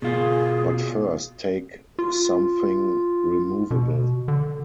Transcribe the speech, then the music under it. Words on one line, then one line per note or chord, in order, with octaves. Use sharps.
But first take something removable.
B2 F4 G#4
F4
B2
D3